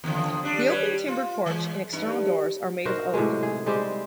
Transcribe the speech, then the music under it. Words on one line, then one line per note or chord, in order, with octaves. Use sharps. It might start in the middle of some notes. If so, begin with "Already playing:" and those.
The open timbered porch and external doors are made of oak.
D#2 D3 F3
G3 D4
G3 B4 C#5
F4
E3 G#3
G2 D#4
D#4 F#4 A#4 C5
A2 C3 F#3 G#3
G#4
G3 G#3 C4 G4